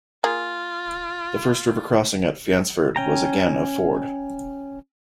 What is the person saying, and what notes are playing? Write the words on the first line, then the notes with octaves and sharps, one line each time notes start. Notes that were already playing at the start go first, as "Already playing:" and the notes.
The first river crossing at Fyansford was again a ford.
A#3 F4 G#4
C#4 G5 A#5